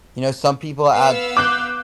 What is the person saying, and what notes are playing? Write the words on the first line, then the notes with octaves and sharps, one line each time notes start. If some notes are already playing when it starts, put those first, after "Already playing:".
you know, some people add
B3 F5 E6
D6 F#6 G6